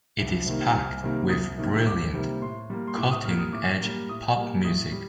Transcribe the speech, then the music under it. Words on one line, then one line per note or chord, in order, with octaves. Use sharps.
It is packed with brilliant, cutting-edge pop music.
C2
C3 D#3 G3 A#3
C2 F6
C3 D#3 G3 A#3
C2 D#6
C3 D#3 G3 A#3
C2 D6
C3 D#3 G3 A#3
A2 C6
G3 A#3
C6
A2 D6
D#6
G3 A#3 F6
D#6
A2 D6
G3 A#3
A2 D#6
G3 A#3
A2 D#6
G3